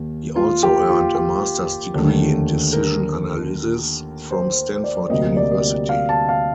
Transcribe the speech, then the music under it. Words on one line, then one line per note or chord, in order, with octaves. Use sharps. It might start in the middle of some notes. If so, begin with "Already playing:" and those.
He also earned a master's degree in Decision Analysis from Stanford University.
Already playing: D#2 A#3
F4
G4
F4
G4
D#2 D3 A3
A#4
C5
D5
D2 C3 G3 A#3 D#5
D5
F5
A5
F5